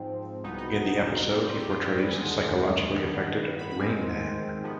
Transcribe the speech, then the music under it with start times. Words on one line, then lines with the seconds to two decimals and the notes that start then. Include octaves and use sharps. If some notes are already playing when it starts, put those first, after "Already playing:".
In the episode, he portrays the psychologically affected "Rainman".
Already playing: G#2 F3 C4
0.44 C2 B2 B3 D#4
0.58 D#4
0.72 D#4
0.86 D#4
1.28 G#2 G3 C4
1.60 G4
1.70 F4
1.83 G4
1.98 B4
2.11 D#2 D3 G#3 G#5
2.95 G2 D#3 B3
3.59 B5
3.71 B5
3.79 G#2 D#3 G#3 C4 G#5
4.64 C3 F3 G#3 B3